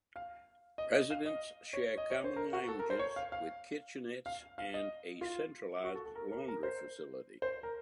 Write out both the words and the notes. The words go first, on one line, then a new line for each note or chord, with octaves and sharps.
Residents share common lounges with kitchenettes and a centralized laundry facility.
F5
D#5
D#5
F5
D#5
C#5
D#5
C#5
C5
A#4
F#4
A4
A#4
C5
C#5
F5
F5
F5
F5
D#5
F4
F#4
A4
A4
A#4
A#4
A#4
C5
C5
A#4